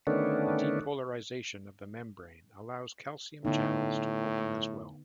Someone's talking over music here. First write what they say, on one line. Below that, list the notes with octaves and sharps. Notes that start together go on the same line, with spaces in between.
The depolarization of the membrane allows calcium channels to open as well.
D3 D#3 A3 B3 C#4 D4
A2 D3 B3 D#4